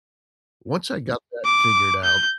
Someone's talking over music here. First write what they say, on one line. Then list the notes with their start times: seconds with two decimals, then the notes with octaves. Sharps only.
once I got that figured out
1.45 D6
2.04 G6